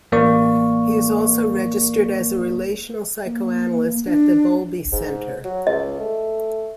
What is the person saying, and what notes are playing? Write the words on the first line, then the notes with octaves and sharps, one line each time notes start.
He is also registered as a Relational Psychoanalyst at the Bowlby Centre.
A1 A#3 A#4 D5 C#6
A#3
D4
G#2
F#3
C#2 D#5
A3